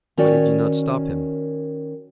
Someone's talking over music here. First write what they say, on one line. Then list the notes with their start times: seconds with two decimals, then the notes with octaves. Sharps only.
"Why did you not stop him?"
0.17 D#3 C#4 F#4 C#5 D5